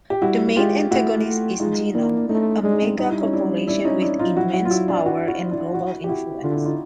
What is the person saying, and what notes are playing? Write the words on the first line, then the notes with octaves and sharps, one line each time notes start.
The main antagonist is Genom, a megacorporation with immense power and global influence.
G4
G3 E4 F#4
G#3 F4 G4
A3 E4 F#4
G#3 D#4 F4
A#3 D4 E4
D4
A3 C#4 D#4
G#3 D4
D#4
C4 D4
G3 D#4
E4
C#4 D#4
D4 E4
D4 E4
C#4 D#4
D4 E4
D#4 F4
F#3 E4 F#4
E4 F#4
F4
E4 F#4
D4 E4
E4 F#4
E4 F#4
D4 E4
E4 F#4
G4
E4 F#4
D3 F4
E4
D#4 F4